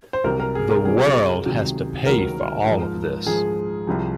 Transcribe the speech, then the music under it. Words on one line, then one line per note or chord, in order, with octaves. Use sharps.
The world has to pay for all of this.
C5
C2 C3 F#3 A#4
A#4
G#4
A#4
C2 C3 F#3 G#4
C#2 C3 D#3 F#3
C#2 C3 D#3 F#3 A#4
G#2 F3
G#2 F3 G#4
C2 C3 F3